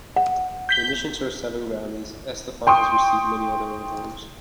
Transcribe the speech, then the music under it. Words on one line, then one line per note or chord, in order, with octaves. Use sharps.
In addition to her seven Grammys, Estefan has received many other awards.
F#5
G6 B6 G7
G5 C6 C#6 D#6